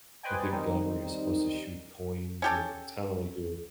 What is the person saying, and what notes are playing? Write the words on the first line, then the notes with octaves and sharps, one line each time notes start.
like, a gun where you're supposed to shoot coins, and it's kinda, like, you're i
B4 C5 D5 D#5 G5 G#5
D#3 G3 C4 D#4
C#4 G4 A4